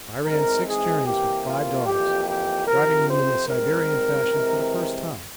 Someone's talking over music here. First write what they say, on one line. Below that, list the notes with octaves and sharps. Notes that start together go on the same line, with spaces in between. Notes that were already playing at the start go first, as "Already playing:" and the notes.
I ran six journeys with five dogs, driving them in the Siberian fashion for the first time.
G#2 E3 G#3 C4 A#4
G#4
C3 E3 A#3 G4
F4
F2 E3 A#3 G4
G4
F2 C3 F3 C4 A#4
C5
G#2 G3 C4 A#4
C3 E3 G#3 C4